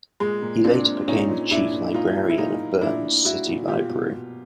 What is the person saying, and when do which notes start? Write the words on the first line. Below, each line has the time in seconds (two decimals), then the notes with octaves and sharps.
He later became the chief librarian of Bern's city library.
0.20 A#2 G#3
0.42 A#2
0.64 A#2 C4 D4
0.86 A#2
1.08 A#2 C#4 D#4
1.29 A#2
1.51 A#2 D4 E4
1.73 A#2
1.94 A#2 D#4 F4
2.16 A#2
2.29 E4
2.38 A#2 D#4 F4
2.60 A#2
2.81 A#2 D4 E4
3.03 A#2
3.25 A#2 E4 F#4
3.47 A#2
3.68 B2 F4 G4
3.90 B2
4.11 B2